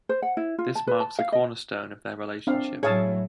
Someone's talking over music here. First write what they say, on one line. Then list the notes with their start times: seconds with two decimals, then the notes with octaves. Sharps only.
This marks a cornerstone of their relationship.
0.09 C5
0.22 F#5
0.37 E4
0.58 F4
0.75 A5
0.87 B4
1.00 A5
1.19 F5
1.32 D#5
2.47 C4 D4 F5
2.83 A2 F#3 E4 G#4 C#5 F5 A5